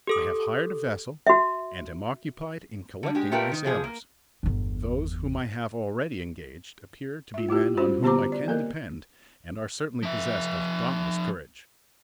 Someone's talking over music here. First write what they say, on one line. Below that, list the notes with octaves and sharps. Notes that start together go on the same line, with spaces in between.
I have hired a vessel and am occupied in collecting my sailors; those whom I have already engaged appear to be men on whom I can depend and are certainly possessed of dauntless courage.
G4 A4 D#6
F#4 E5
D3 G3
G#3 G4
A3 F4 G4 A#4 B4 G5
D#3
C3 F3 G#4
A#3
G1 E2
F4 E5
A3 E4 F4 G4
G3 C#4 F4 F#4 C5
D3 B3 G4 C5 A#5 D6
D5
A#3 A4 A#4 D#5
F3 E5